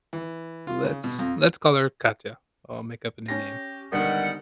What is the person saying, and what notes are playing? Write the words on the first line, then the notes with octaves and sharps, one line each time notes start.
let's let's call her Katya, I'll make up a new name.
E3
F4
C#3
B2
F2
C#4 G4 A#6
G#2 D3 D#3 G3 B3 F#5